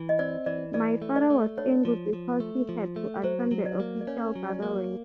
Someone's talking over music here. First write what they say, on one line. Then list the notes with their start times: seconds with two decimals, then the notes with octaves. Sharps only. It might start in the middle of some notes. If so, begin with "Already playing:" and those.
My father was angry because he had to attend the official gatherings.
Already playing: E3
0.09 D#5
0.19 C4 D5
0.46 E3 D5
0.74 E3 D5
1.02 A3
1.16 D5
1.30 A3
1.58 D4 C#5
1.85 F3
2.13 F3
2.40 A3
2.69 F3
2.96 A3
3.24 F#3 C5
3.51 F#3
3.66 D5
3.80 A#3
4.01 D5
4.07 C#4 C#5
4.35 F#3
4.49 D5
4.62 A#3